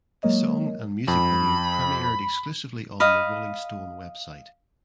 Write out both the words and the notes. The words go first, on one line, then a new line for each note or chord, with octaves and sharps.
The song and music video premiered exclusively on the "Rolling Stone" website.
F#3 G#3 A#3 A#4 C#5 D#5
F2 B5
D#5 F5 B5